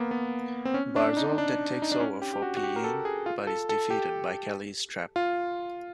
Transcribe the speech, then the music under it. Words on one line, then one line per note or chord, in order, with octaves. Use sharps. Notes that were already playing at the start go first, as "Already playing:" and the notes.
Barzov then takes over for Pi Ying, but is defeated by Kelly's trap.
Already playing: A#3 B3
B3
C4
C#4
D4
D#4
D4
D#4
D4
C#4
G4
G4
F#4
F#4
G4
A#4
A4
G#4
F4
A4
A4
G4
F4